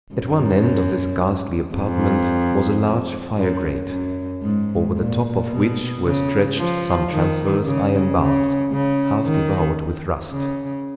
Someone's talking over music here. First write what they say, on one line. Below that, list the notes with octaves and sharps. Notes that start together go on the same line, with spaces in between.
At one end of this ghastly apartment was a large fire-grate, over the top of which were stretched some transverse iron bars, half devoured with rust.
F#2
F2
F#2
F#2
G#2
A#2
B2
C#3
F3
D#3
C#3
C#3
C#3
D#3
C#3